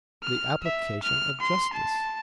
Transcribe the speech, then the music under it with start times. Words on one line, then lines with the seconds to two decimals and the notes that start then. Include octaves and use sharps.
"The application of justice."
0.23 F6
0.63 E5
1.03 F6
1.41 C6
1.73 A5